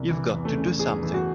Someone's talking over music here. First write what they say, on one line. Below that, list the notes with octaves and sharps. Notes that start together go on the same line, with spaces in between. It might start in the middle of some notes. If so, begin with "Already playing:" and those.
You've got to do something!
Already playing: C2
E3
E2
A3
C#3
E2 G#4
E3
F#4